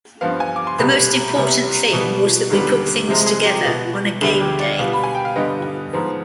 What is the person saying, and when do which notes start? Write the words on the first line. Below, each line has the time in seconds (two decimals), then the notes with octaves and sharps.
The most important thing was that we put things together on a game day.
0.21 G2 F3 B3 F5
0.40 G#5
0.56 D6
0.67 C6
0.79 C2 B2 G3 B3 B5
1.36 C2 C3 G3 B3
1.93 B2 G3 B3
2.50 D#2 D3 G3 B3
3.07 C2 C3 F3 G#3
3.26 G#4
3.45 G4
3.65 B2 B3
4.21 D2 D3 G3 B3 G#4
4.41 G4
4.60 D5
4.79 B2 G3 B3 F5
4.93 B5
5.03 G#5
5.15 G5
5.25 F5
5.36 G2 D3 G3 B3 D#5
5.93 G#2 F3 B3